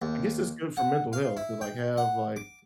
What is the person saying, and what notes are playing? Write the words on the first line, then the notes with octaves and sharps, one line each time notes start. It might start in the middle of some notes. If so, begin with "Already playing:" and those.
I guess it's good for mental health to, like, have, like,
D#2
F#5
F5
E4
G5
F#5
D6